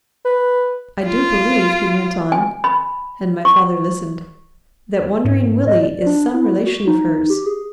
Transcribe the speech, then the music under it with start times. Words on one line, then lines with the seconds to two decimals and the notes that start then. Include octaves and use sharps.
I do believe," he went on, and my father listened, "that Wandering Willie is some relation of hers.
0.25 B4
1.07 F4
2.32 G#5
2.64 B5
3.45 C#6
5.24 G#2
5.67 D#5
5.82 D5
6.06 D4
6.34 E4
6.66 F#4
6.87 D#4
7.30 G4
7.46 G#4